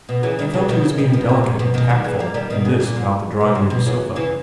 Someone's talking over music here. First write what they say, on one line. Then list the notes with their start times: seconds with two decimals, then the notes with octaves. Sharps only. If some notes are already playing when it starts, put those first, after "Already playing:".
He felt he was being delicate and tactful in this about the drawing-room sofa.
0.09 B2
0.23 C#3 E3
0.39 D#3 G3
0.53 C#3 E3
0.68 B2 D#3
0.84 C#3
0.98 B2 D#3
1.13 B2 D#3
1.29 A#2
1.44 G#2
1.59 B2
1.74 B2 D#3
1.89 D#3 G3
2.04 E3 G#3
2.19 G3 A#3
2.34 D#3 G3
2.50 B2 D#3
2.65 C#3
2.80 A#2
2.96 G#2
3.40 B2
3.55 C#3
3.70 B2
3.86 C#3 E3
4.16 C#3 E3